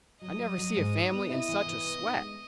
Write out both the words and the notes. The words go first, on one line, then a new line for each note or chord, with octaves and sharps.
I never see a family in such a sweat.
F#3 D#5
F#3
F#3
G#2
D#4
B3
E4 D#5
E3
E3
B2
D#4
G#3